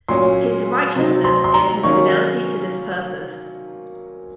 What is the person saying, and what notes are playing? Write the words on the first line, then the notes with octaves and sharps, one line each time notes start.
His "Righteousness" is His fidelity to this purpose.
A#2 F#3 C#4 C6
C3 F#3 C4 D#4
C6
C6
A#5
D#3 F#3 A#3 C#4 C#6